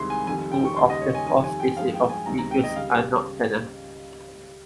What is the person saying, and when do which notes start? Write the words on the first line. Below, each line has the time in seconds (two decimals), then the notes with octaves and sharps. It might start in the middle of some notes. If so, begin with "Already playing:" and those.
Two of the four species of degus are nocturnal.
Already playing: C2 C3 D#3 G#3 C6
0.10 G#5
0.27 F2 D#3 G3 G#5
0.52 G5
0.65 C#6
0.76 D#2 C#3 G3 C6
0.90 D#5
1.02 C#5
1.15 G#5
1.27 F2 D#3 G3 G#5
1.44 G#5
1.60 G5
1.76 G2 F3 G#3 F5
1.94 G5
2.09 G#5
2.26 C#2 C3 D#3 A#5
2.39 A#5
2.51 G5
2.64 D#5
2.76 C#3 G3 F5